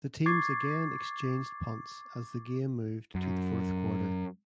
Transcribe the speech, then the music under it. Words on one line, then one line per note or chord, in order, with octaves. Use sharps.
The teams again exchanged punts as the game moved to the fourth quarter.
C#6 D6 G#6 A6 C7
F#2